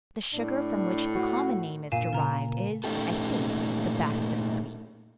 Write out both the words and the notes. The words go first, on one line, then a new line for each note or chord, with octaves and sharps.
The sugar from which the common name is derived is, I think, the best of sweets.
A2 D4
F#4
A#2 F5 G#5 E7
C#3 A#4 A#5
A#2 A3 C#4 D#4 G4 A4